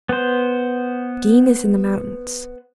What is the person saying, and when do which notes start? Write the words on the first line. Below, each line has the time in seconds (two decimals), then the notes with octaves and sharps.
D---- is in the mountains.
0.09 B3 C5